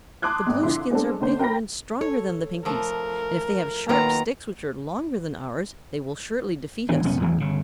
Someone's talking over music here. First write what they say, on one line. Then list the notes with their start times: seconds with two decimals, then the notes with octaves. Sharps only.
"The Blueskins are bigger and stronger than the Pinkies, and if they have sharp sticks which are longer than ours they will surely defeat us."
0.22 A5 C6 D6 D#6 F#6 G#6
0.46 G#1 E2
0.63 D3 F3 E4 C6
0.91 G#3 B3 C4 D4 A4
1.20 D#2 D3 C#4 C5
1.39 A#4 G5 A#5 B5 A#6
2.01 A4 C#5
2.65 F3 A3 A#4
3.89 D#3 F#3 A#3 F4 B4 A#5
6.89 G#1 E3 B3 D4
7.04 C2 F#2 B3 C#4
7.20 A1 E2 E3 F#3
7.40 G1 C#3